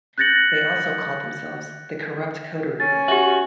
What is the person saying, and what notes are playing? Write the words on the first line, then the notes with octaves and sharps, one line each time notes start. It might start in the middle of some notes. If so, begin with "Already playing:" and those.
They also called themselves the "Corrupt Coterie".
F#6 G6 A6 A#6 C#7 F#7
C#4 A6
F#4 G4 E5